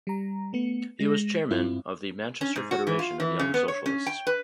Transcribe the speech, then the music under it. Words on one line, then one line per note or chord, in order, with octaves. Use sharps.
He was chairman of the Manchester Federation of Young Socialists.
G3 A#5
A3 B3 C#7
G#3 A#6
G2 C4 E4 F4
C#4
G#2
F#4
E3
F4
E3
C#3
B3
C#5
C#4
G5
B4